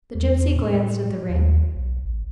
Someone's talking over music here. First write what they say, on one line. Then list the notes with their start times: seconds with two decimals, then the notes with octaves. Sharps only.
The gipsy glanced at the ring.
0.15 E2
0.55 A2
1.29 D#2
1.75 B1
2.05 A1